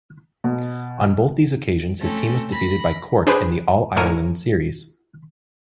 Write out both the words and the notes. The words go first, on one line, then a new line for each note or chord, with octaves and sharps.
On both these occasions his team was defeated by Cork in the All-Ireland series.
B2
A3 C4 C#4 A4
B5 A#6
D4 G#4 B4 C5 G5 B5
A2 D3 A#4 G#5 C#7